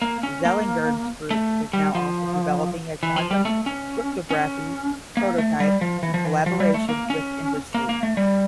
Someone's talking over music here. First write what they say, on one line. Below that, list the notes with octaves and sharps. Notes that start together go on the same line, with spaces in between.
Zeilinger's group is now also developing a quantum cryptography prototype in collaboration with industry.
A#3
C#4
A#3
A3
G3
F3
E3
F3
G3
A3
C#4
C#4
A#3
A3
G3
F3
E3
F3
E3
F3
G3
A3
A#3
C#4
A#3
A#3
A3
G3